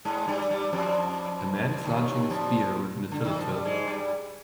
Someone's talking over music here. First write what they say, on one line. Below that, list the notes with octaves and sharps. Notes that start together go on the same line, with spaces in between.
A man is launching a spear with an atylatyl.
G#2 G#3
G2 G3
G2 G3
F2 F3
D#2 D#3
F2 F3
D3
D#3
F3
G3
G#2 G#3
G2 G3